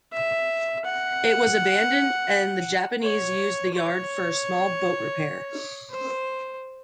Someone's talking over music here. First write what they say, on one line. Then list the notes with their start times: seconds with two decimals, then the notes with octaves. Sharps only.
It was abandoned and the Japanese used the yard for small boat repair.
0.13 E5
0.85 F#5
3.02 C#5
3.74 C#5
5.91 C5